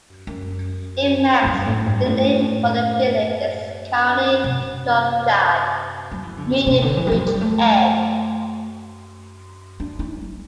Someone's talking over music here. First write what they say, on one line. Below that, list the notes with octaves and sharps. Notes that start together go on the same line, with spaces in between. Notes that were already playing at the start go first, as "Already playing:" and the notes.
In Manx the name for the village is "Kione Droghad" meaning "bridge end".
F#2
A2
G2
A2
G2
A2
C3
F#3
E3
D3
C3
C3
D3
E3
G3
F#3
G3
A3
D4
E4
F#3